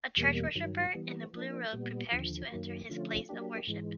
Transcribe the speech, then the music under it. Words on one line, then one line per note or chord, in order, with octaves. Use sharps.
A church worshiper in a blue robe prepares to enter his place of worship.
E2 B2 G3 A#3
G2 D#3 F#3
E3 G3 B3
F3 A#3 D4
A#2 G3 B3
D#2 D3 F3
F#2 D#3 F#3 A#3
D3 F3 A3 C#4 F4
F#3 A#3 D4 G4
G#2 E3 G#3